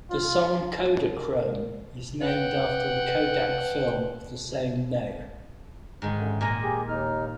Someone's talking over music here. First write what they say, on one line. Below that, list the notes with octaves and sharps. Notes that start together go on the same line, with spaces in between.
The song "Kodachrome" is named after the Kodak film of the same name.
F4
A#4
B4 F#5 G5
G#2 D#3
F#2 D3
A#2 G#5 A#5 F6
G4 G#4
D#2 D#4 F6